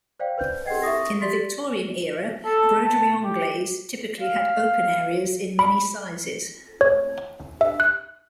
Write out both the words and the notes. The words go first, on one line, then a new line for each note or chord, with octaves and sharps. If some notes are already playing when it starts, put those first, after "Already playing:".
In the Victorian era, broderie anglaise typically had open areas in many sizes.
C5 D5 F5 G5
B4 C5 G6
D#5 F#5 G5 G#6 C7
E5 C#6 D#6 A#6
G4 D5 C6 A6 B6
A4
A5
G4
F5
B5
C#5
E5
F#6